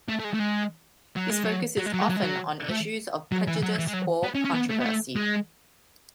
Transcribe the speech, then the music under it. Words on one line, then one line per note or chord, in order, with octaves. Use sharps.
His focus is often on issues of prejudice or controversy.
A3
A3
G#3
A3
G#3
F#3
G#3
F#3
F#3
G#3
F#3
G#3
F#3
G#3
F#3
A3
F#3
E3
F#3
E3
G#3
F#3
B3
C#4
C#4
B3
A3
B3
A3
G#3